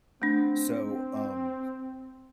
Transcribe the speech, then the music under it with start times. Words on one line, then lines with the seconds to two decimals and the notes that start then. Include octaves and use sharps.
So, um,
0.22 A3 C4 D4